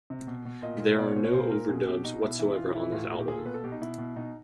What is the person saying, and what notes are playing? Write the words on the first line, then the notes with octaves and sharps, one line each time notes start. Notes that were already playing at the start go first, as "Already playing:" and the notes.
There are no overdubs whatsoever on this album.
C3
B2
B2
A#2 D#5
A#2
B2 D5
C#5
B2 C5
C#5
A#2 C5
A#2 A#4
B2 G#4
B2 G4
B2 D#4
B2 E4
E3 E4
E3 F4
E3 E4
A2 F4
A#2 F#4
G4
A#2 G#4
A4
B2 B4
A4
B2 G4
D#4
B2 E4
B2
B2 D#4